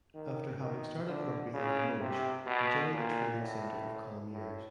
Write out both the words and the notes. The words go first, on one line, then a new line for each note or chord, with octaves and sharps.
After having started rugby in Limoges he joined the training center of Colomiers.
D#3
D#3
D3
C#3
C3
B2
A#2
A2
A2